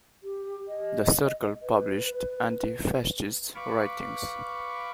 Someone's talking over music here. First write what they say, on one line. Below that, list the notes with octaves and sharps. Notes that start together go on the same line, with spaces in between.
The circle published anti-fascist writings.
G4
D#5
B4
B4 F5 B5 C#6 D6